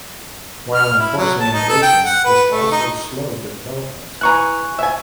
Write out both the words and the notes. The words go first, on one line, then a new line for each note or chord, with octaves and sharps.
While enforcing innovation, this also slowed the development.
F6
E4
F#3
A5
D#4
A4
G5
F#5
B4
A3
D#4
E3 G#5 A#5 C#6 F#6
E5 G#5